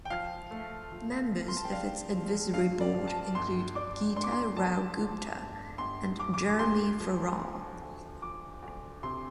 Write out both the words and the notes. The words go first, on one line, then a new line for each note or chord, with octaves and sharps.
Members of its advisory board include Geeta Rao Gupta and Jeremy Farrar.
G5
F3 F5
A3
F3
F3
C6
A5
G5
D4 F5
F3
G2 F5
D5
F3
A5
G1 C6
D4 D6
D4 C6
D6
C6
F3 A5
F3
G1
G1 C6
G2 D6
D6
D6
D2 C6
F3
F3
D2
F3 D6
D2
C3 C6